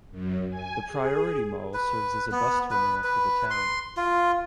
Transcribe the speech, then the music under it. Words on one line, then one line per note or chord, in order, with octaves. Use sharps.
The Priority Mall serves as a bus terminal for the town.
F#2
G#5
G#4
B4
B3
B4
B4
C6
F4